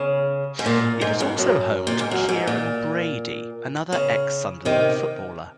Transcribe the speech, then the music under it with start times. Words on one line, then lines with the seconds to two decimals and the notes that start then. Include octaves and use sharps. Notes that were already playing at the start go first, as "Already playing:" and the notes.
It is also home to Kieron Brady, another ex-Sunderland footballer.
Already playing: C#3
0.59 G#2
0.66 A#2
1.01 G#2
1.20 F2
1.38 F#2
1.87 A#2
1.99 G#2
2.11 F#2
2.29 G#2
2.47 A#2
3.92 C#3
4.65 C3 D#3